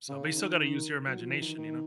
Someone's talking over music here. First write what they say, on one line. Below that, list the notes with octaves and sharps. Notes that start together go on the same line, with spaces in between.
So but you still gotta use your imagination, you know?
C#3
D#3
D#3
F#3
F3
E3
D#3
D#3